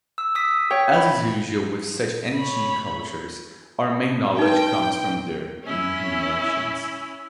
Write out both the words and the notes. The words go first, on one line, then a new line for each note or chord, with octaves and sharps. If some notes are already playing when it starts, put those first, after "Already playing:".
As is usual with such ancient cultures, our main knowledge comes from their inhumations.
E6
D#6 E6 B6
C#5 G5
B5
C#5 B5
D#4 B4 G5
C#4 E4